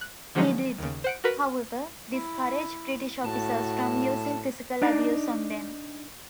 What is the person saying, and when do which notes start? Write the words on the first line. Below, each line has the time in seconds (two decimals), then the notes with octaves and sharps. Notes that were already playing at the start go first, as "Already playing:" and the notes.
He did, however, discourage British officers from using physical abuse on them.
0.01 F#6
0.35 D3 F3 F#3 G#3 C#4 D#4
0.78 D#2 C#3
1.04 C5 F#5 D7
1.24 F#4 A#4 B4
2.13 E4
3.25 A2 F#4 A5
4.82 D4 D#4 D5